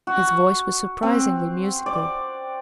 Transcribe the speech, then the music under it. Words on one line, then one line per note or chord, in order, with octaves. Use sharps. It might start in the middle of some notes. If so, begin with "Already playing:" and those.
His voice was surprisingly musical.
F#4
C4
D5